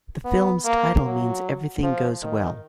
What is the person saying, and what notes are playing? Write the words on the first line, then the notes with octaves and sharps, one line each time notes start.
The film's title means everything goes well.
B3
A#3
F#3
F3
D#3